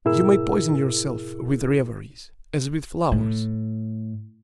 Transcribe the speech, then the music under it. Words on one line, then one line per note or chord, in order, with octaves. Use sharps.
You may poison yourself with reveries, as with flowers.
G#2 B2 E4 G#4 A#4 E6
A2